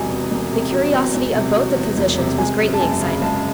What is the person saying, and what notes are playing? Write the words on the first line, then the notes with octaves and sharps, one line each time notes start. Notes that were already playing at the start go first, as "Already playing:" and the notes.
The curiosity of both the physicians was greatly excited.
Already playing: E1 E2 C3 F#3 G#5
E2
E1
C3
F#3
E2
E1
C3
F#3
E2
E1
C3
G#3 G#5
F#2
A5
F#1 G#5
C#3
G#3 A5